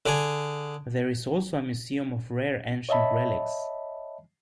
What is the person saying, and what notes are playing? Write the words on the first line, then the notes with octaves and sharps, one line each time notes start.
There is also a museum of rare ancient relics.
D3 G#4
C#5 D#5 E5 A5 B5